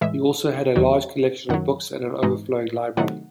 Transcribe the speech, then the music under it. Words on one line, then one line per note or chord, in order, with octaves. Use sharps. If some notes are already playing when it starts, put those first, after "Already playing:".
He also had a large collection of books and an overflowing library.
A2 E3 G#3 E5
E2 D#3 F#3
F#2 D#3 F#3 F#5
G#2 E3 G#3 D#4
C3 D#3 F#3 A3 D#4 F#5